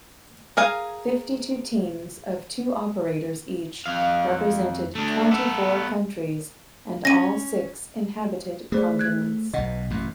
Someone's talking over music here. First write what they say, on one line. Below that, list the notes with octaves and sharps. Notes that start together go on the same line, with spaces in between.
Fifty-two teams of two operators each represented twenty-four countries and all six inhabited continents.
G#4 A#4 F5 G#5
F2 F5
A3 D4
B3 A4
C#4 A#6 D#7
A3 G#4 C5 D5
F#6 G#6
B1 B2 D#5 F#5
A1 F#2 B2